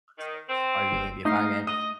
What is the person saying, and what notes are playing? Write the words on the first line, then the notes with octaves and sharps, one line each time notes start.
honestly, are you really gonna be a fireman?"
D#3
C4
F#1
A3 D#4 D#5 F5
D#5 D#6